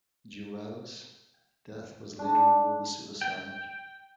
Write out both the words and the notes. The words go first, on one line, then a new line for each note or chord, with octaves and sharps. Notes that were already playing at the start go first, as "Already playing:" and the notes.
Deuel's death was later ruled a suicide.
D4
G5